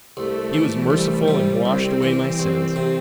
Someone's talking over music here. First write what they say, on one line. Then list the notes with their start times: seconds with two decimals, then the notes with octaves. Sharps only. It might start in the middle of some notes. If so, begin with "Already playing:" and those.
He was merciful and washed away my sins.
0.16 C2 A3
0.53 E3
0.90 C2 G3
1.28 C3
1.65 C2 C4
2.02 E3
2.39 C2
2.76 C3